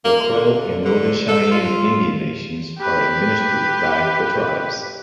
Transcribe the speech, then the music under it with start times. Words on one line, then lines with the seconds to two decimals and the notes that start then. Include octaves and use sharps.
The Crow and Northern Cheyenne Indian Nations are administered by the tribes.
0.05 A#3
0.34 D3
0.84 D3
1.28 A4
1.51 F4
2.78 G4 B4